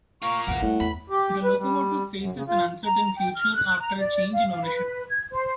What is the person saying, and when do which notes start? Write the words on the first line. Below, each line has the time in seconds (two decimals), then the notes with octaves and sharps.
The locomotive faces an uncertain future after a change in ownership.
0.22 A#3 F4 C#6
0.47 A#1 E2 F#5
0.62 A2 G3 B3
0.80 E2 B5
1.10 G4
1.44 B4
1.57 G3
2.18 F#2
2.34 C#3
2.48 F4
2.84 A#5
3.16 G5
3.34 F6
3.53 F#6
3.79 A#5
3.98 D5
4.33 F5
4.51 F5
4.63 B4
5.09 G#6
5.30 C5